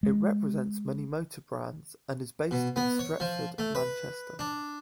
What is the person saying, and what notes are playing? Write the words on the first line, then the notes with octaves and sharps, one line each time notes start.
It represents many motor brands and is based in Stretford, Manchester.
G#3
B2
B3
C#5
F3
A3
B4
D4